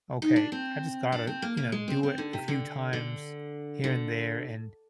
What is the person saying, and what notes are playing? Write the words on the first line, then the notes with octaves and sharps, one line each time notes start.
"Okay, I just gotta," you know, "do it a few times here and there and,"
D#4
D4
C4
D4
C4
A#3
A#3
G#3
C4
C4
D3
C3
D3
D3
D3